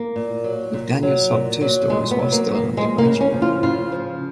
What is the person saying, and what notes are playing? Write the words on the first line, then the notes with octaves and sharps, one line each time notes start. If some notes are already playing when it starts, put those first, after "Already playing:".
McDaniel sold two stories while still an undergraduate.
Already playing: A#3
A#2
F#3
A#2
F#3
A#2
F#3
A#2 G#3
B3
F#3
A#3
A#2
A#3
F3 G#3
A#3
C#3
C#4
F3
F4
C#3 F4
F3